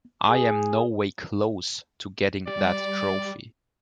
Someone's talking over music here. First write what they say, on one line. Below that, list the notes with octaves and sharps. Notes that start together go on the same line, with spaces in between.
I am no way close to getting that trophy.
G#4
G3 D5